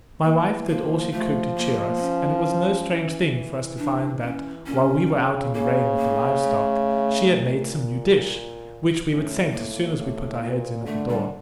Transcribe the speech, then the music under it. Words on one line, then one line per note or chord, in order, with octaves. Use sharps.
My wife did all she could to cheer us, and it was no strange thing for us to find that while we were out in the rain with the live stock, she had made some new dish, which we would scent as soon as we put our heads in at the door.
E3 A#3
F3 A#3
F3 A3
A#3
A#3
C#4
E3
D4
C#4
A#2 C#4
C#3
C#3 A#3
A#3
A3
A#2
A2 C#4
A#3
A2
A#2
D3 A3
G3